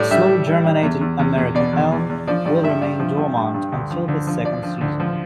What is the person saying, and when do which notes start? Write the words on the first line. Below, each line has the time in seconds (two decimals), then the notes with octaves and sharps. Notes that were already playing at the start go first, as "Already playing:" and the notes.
Slow-germinating American Elm will remain dormant until the second season.
Already playing: A2 G3 D5
0.11 G3 E5
0.28 G3
0.47 G3
0.64 G3
0.83 E2
1.01 E2
1.19 E2
1.38 E2
1.55 B2 D5
1.73 E2
1.92 E2
2.09 E2
2.27 F3 D5
2.46 G2 D5
2.64 G2 E5
2.82 G2 D5
2.99 F3
3.18 G2
3.37 G2
3.54 G2
3.72 D2
3.90 F3
4.08 D2
4.27 F3
4.45 F3 D5
4.63 F3
4.81 D2
5.00 F3